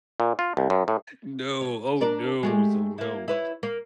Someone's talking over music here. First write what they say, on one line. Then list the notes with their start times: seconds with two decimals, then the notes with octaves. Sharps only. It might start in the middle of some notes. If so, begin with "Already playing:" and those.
No, oh no, so no.
0.20 A#2
0.39 F4
0.57 C2
0.70 F#2
0.88 A2
1.61 C#5
2.01 D4 A#4 D5
2.43 G#3 A3 G4
2.98 A#3 E4
3.28 E4 B4 C#5
3.63 A#3